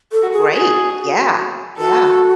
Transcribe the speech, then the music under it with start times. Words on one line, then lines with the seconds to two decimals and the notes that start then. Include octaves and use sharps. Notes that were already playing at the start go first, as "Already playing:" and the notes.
Great. Yeah. Yeah.
0.12 A4
0.22 F#4
0.33 G#4
0.53 F#4 G#4
1.78 F#4 A4